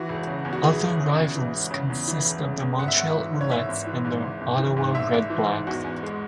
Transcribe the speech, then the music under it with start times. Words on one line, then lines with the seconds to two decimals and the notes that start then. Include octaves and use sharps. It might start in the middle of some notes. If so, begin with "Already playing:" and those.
Other rivals consist of the Montreal Alouettes and the Ottawa Redblacks.
Already playing: E3 F#4
0.09 E1
0.27 C#3
0.45 E2
0.53 F#4
0.63 E3 G#4
0.81 E1
1.00 C#3
1.17 E2
1.35 E3
1.53 E1
1.71 C#3
1.90 E2
2.08 E3
2.26 E1
2.43 C#3
2.61 E2
2.78 G#1 F#5
2.88 E5
2.97 G#1 F#5
3.15 E3
3.33 G#2
3.41 C#5
3.50 G#1 E5
3.69 G#1
3.87 E3
4.05 G#2
4.23 G#1
4.41 G#1
4.59 E3
4.77 G#2
4.94 G#1 E5
5.12 G#1
5.30 E3
5.49 G#2
5.67 E2 F#4
5.84 E2
6.03 G#3